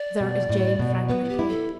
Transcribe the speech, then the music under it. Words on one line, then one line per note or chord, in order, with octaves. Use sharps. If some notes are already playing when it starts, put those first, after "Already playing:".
There is Jane Franklin Cape.
Already playing: D5
B2
A2
B2
B3 B4
E4
G4
E4
A4